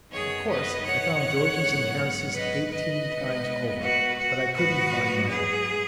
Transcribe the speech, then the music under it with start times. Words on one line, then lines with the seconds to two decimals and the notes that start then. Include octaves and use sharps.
Of course, I found George's and Harris's eighteen times over, but I couldn't find my own.
0.12 F#2 D#3 B3 G#4 C#5
0.49 B4 D#5
0.85 C#5 F#5
1.59 G#2 F#3 B3
2.33 B4 D#5
2.71 B4 D#5
3.07 B2 G#3 B3
3.81 F#4 B4
4.18 F#4
4.54 G#2 F#3 B3 F#4 B4
5.29 G#4